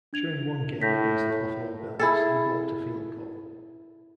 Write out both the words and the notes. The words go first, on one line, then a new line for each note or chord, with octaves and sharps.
During one game against the Buffalo Bills, he blocked a field goal.
D4 G#6 F7
A2 G6 A#6 B6
E4 G#4 A4